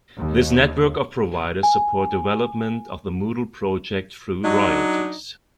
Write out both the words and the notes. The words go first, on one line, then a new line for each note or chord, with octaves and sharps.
This network of providers support development of the Moodle project through royalties.
D#2
G#5
F#3 D4 D#4